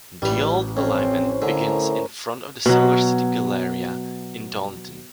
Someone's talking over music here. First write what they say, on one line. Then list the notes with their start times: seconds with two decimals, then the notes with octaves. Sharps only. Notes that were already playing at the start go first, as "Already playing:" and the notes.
The old alignment begins in front of the Silver City Galleria in Taunton.
0.22 A1 G3 B4
0.77 F2 C4 C#4 C5
1.42 A2 D3 A#4 G#5
2.66 B2 F#3